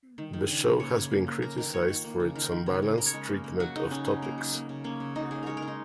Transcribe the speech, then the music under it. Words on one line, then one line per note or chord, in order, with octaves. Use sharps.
The show has been criticized for its unbalanced treatment of topics.
D#3
D#3
C#3
C#3
A#3 C#5
C#3
A#3
A#3
A#3 A#4
D#3 A#4
A#3 C#5
D#3
A#3
C#3
D#3 A#4
D#3
C#3
C#3
C#3 A#4
C#5
G#3 A#4
A#3
A#3
F#3 F#4
C#3 D#4
C#3 C#4
F#3 D#4
A#3 A#4
F#3
A#3
C#3
A#3 C#4
C#3
A#3 D#4
A#3 G#4
G#3 A#4 C#5
A#4
G#3
D#4